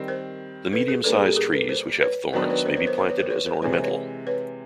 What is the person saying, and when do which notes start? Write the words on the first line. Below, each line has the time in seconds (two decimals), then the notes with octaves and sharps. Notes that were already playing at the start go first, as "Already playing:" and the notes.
The medium sized trees which have thorns, may be planted as an ornamental.
Already playing: D#3 G3 C4
0.08 A#4 C5
0.73 A4 B4
0.88 G#4 A#4
1.04 A#2 G3 A#3 D4 A4 B4
1.15 G#4 A#4
1.26 G4 A4
1.36 G#4 A#4
1.53 A4 B4
1.69 A#4 C5
2.01 B4 C#5
2.33 D#3 F#3 B3 D4 A#4 C5
2.50 B4 C#5
2.66 A#4 C5
2.76 B4 C#5
2.86 A#4 C5
2.98 A#4 C5
3.09 B4 C#5
3.19 A#4 C5
3.30 B4 C#5
3.46 A#4 C5
3.62 C3 E3 G#3 B4 C#5
3.73 A#4 C5
3.84 B4 C#5
4.27 B4 C#5